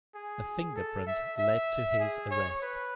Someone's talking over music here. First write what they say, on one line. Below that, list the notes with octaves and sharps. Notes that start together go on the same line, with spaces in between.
A fingerprint led to his arrest.
G#4
A4
E5
E5
G#4
C#5
B4